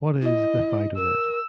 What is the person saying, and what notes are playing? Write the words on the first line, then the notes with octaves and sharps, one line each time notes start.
What is the "FidoNet"?
E4 D#5
A#4 E6